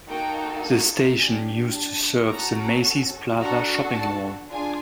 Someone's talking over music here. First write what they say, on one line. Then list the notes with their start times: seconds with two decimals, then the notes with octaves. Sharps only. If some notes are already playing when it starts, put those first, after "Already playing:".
The station used to serve the Macy's Plaza shopping mall.
0.08 A#3 D#4 F#4 A4 G5
1.19 D4 G4 G#5
1.74 A5
2.30 C#4 F#4 A4 A#5
3.40 D4 F#4 A4 A#5
3.95 A5
4.51 D4 F4 G#4 G#5